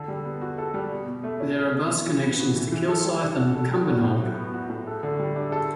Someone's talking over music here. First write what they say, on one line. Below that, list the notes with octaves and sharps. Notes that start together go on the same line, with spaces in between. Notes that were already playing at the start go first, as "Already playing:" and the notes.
There are bus connections to Kilsyth and Cumbernauld.
Already playing: D3 A4
G3
B3
F#4
A4
G3
B2
B2
A3
C#4
B2
B2
E3
E3
B3
F#4
E3
E3
A4
G3
D4
F#4
A4
G3
F#4
A2
F#3
B3
F#4
A2
A4
D3
G3
D4
A4